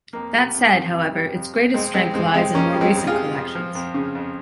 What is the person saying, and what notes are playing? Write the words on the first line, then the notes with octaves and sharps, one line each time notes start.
That said, however, its greatest strength lies in more recent collections.
F2 A#3
G3
F2
C3
F2
G3
F2
C3
F2 G#3 C4
G3 G#3 C4
F2 G#3 C4
C3 G#3 C4
F2 A#3 C#4
G3
G#3 C4
F2
F4 G#4
C3
F2
F3
F2
C#3
F2